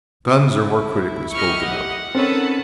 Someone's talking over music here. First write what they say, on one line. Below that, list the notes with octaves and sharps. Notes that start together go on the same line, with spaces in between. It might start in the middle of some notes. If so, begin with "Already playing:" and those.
Guns are more critically spoken of.
E4
A3 G4 D#5 C#6 F6
F#5
D#3 C4 C#4 A4 B4 C#5 A5